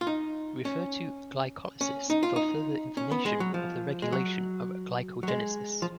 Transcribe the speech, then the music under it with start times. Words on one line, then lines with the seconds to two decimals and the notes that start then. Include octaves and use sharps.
Refer to glycolysis for further information of the regulation of glycogenesis.
0.01 F4
0.07 D#4
0.65 C#4
1.81 C#4
2.10 D#4
2.23 F4
2.36 D#4
2.97 C#4
3.11 B3
3.26 G#3
3.40 F#3
3.54 F3
4.02 G#3
4.13 F#3
5.23 F#3
5.28 G#3
5.82 F3